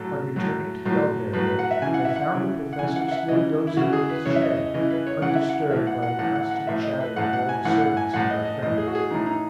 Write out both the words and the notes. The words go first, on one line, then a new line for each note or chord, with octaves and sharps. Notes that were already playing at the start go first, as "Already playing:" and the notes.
On returning to the albergo I found the professor still dozing on his chair, undisturbed by the constant chatter of all the servants and their friends.
Already playing: A2 F#3 A4
A2 F#3
A2 F#3
A2 F#3 B4
B4
F#5
E5
C#3 E3 G#5
F#5
E5
F#5
C#3 E3
F#5
C#3 E3 G#5
F#5
F#5
E5
C#3 E3 D#5
E4
C#3 E3 F#4
G#4
B4
C#3 E3 C#5
E5
D#5
D#5
C#3 E3 D#5
B4
C#5
C#3 E3 F#5
E5
F#5
A2 E3 E5
F#5
F#5
A2 E3 F#5
F#5
F#5
A2 E3 E5
D#5
B4
A2 E3 F#5
F#5
G#5
A2 E3 F#5
F#5
G#5
A2 E3 F#5
D#5
D#5
A2 E3 D#5
G#4
F#4
G#4
A2 E3 D#4
D#4